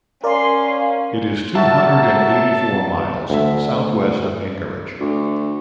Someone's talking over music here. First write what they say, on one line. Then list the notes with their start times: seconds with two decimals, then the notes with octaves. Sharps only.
It is two hundred and eighty-four miles southwest of Anchorage.
0.24 C#4 A#4 D5 F5 C6
1.55 F#3 F#4 A#4 E5 A5
3.30 D2 E5
5.00 D2